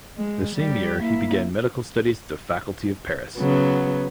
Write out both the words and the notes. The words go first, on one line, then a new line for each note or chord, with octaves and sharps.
The same year he began medical studies at the Faculty of Paris.
G#3
G3 G4
A#3 E4
C#3 F#3 B3